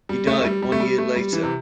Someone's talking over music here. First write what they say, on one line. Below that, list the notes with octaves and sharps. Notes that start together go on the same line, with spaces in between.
He died one year later.
G3
A3
A3
G3
G3
A3
G3
A3
G3
E3
C3